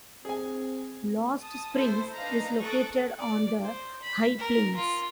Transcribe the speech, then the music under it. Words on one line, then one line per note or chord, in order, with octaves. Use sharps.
Lost Springs is located on the High Plains.
C4 G#4 G#5
A5 D#6
E4 A4 C5 E5
D4 D#4 B4 D#5 F5 A#5
A4 C#6 D#6 F#6 A6 D7
D5
C5
B5
A#4
F4